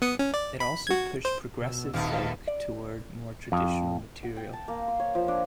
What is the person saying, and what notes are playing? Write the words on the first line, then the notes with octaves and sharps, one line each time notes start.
It also pushed progressive folk towards more traditional material.
B3 D#6 C#7
C#4
D5
B5
F#4 G#6
C5
B2 E6
D#1 F2 B2 D#4 F5 A6
D5
F2
F#5
G5
A5
A#3
C6
C#5
F3
D4